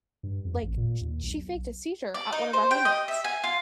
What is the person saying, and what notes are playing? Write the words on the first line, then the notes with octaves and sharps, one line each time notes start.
like, sh she faked a seizure at one of our hangouts,
G2
F2
A1
A#2
D#2
B1
D5
D#4
C5
G5
D#5
E5
G#5
F4